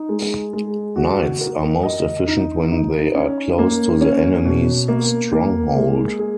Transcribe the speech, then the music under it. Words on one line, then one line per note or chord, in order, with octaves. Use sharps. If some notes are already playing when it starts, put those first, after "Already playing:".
Knights are most efficient when they are close to the enemy's stronghold.
Already playing: D#4
G#3
G#3
F#4
A#4
D#5
D#4
D#4
C#4
A#3
C#4
B2
A#3
A#3
G#3
G#4